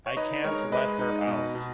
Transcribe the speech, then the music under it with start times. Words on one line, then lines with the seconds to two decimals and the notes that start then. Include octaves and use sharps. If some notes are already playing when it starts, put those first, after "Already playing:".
I can't let her out.
0.06 C#5
0.17 D#4 B4 D#5
0.44 G#3 A#4 C#5
0.72 G#3 B4 D#5
0.99 D#4
1.27 B2
1.55 B2